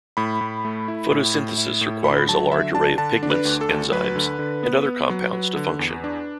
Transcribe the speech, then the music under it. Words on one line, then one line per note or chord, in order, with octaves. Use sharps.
Photosynthesis requires a large array of pigments, enzymes, and other compounds to function.
A2 B5
A2
A3
E4
A2
A2
E4
A2
D3 B5
F#3 A5
D3 E5
D4 A5
D3 A5
D4
B4
D2
A4
D2
F#3 B4
D3
D3
B3
B3
F#3
F#3
D3
E2
D4